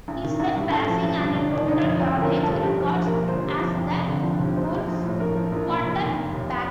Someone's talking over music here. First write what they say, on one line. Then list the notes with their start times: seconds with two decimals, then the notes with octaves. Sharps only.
He set passing and total yardage records as the Bulls' quarterback.
0.08 A1
0.24 D#3
0.40 A1
0.56 G2
0.72 A1 A4
0.88 F3
1.03 A1
1.20 G2
1.35 G1 D4
1.52 D#3
1.67 G1 D#4
1.84 F2
2.00 A1 F4
2.16 D3 A#4
2.31 F3
2.43 A4
2.48 G2
2.64 A#1 G4
2.80 F3
2.95 A#1
3.06 A#4
3.12 A#2
3.28 G1 C5
3.44 C3
3.61 F3
3.75 F2
3.91 F1
4.08 D3
4.23 F3
4.40 D#2
4.56 A#1 C5
4.72 F3
4.88 A#1
5.04 A2
5.20 A#1 A#4
5.36 F3
5.52 A#1 A#4
5.69 A#2
5.84 F1
6.00 D#3
6.17 F1
6.32 D#2